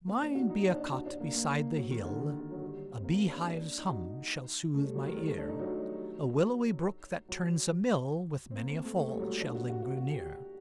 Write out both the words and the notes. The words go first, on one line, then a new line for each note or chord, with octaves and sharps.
Mine be a cot beside the hill; A bee-hive's hum shall sooth my ear; A willowy brook that turns a mill, With many a fall shall linger near.
A#3
D4
F#4
D#4
D4
F#4
D4
A#3
A#3
F#3
D#3
D3
D#3
D3
F#3
G3
C4
A#3
A#3
D4
C4
D4
D#4
F#4
A3
G3
F#3
D#3
G3
A3
D4
D#4
F#3
F#3
C4
A#3
C4
A3
A3
G3
F#3
D4
F#4
F#4
F#4
F#4
G4